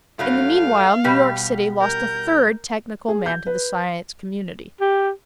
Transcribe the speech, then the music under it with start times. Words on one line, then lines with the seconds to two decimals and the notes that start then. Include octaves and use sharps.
In the meanwhile, New York City lost a third technical man to the Science Community.
0.19 G2 F#3 A3 F5
1.04 B2 G3 G4
1.81 A#4 G6
3.08 G#4
3.26 G6
3.46 B4
4.81 G4